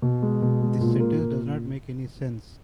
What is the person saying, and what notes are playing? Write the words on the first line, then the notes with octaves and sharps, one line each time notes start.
This sentence does not make any sense.
B2
G#3
B2
G#3
A#2
A#3
A#2